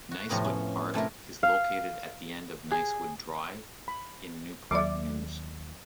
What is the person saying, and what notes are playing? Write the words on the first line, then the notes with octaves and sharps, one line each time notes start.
Nicewood Park is located at the end of Nicewood Drive in Newport News.
F#4
F2 A2 C3 B3 A#4
C#4
C3 A3 E4 A#4
F5
G#4
B5
D#2 F#3 D5 E5 D6